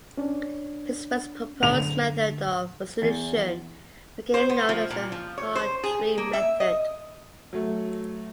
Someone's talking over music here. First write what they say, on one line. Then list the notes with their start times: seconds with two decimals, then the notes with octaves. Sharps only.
His first proposed method of solution became known as the Hartree method.
0.17 C#4 D4
1.63 F#2 A2 D3 F7
3.02 E2
4.34 C5
4.49 B3
4.69 F3
4.91 A#2
5.12 F3
5.38 C#5
5.56 C5
5.83 G#4
6.18 A#3
6.33 E5
6.60 D#5
7.53 F#3 A3